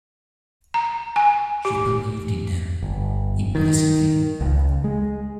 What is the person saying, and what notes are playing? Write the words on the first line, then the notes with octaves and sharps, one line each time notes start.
She believed in them implicitly.
A#5
G#5
G4
G1
D#3
C#2
G#3